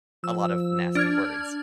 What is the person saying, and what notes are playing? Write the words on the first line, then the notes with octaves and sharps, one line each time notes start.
a lot of nasty words.
F3 E6
D4 F6 G#6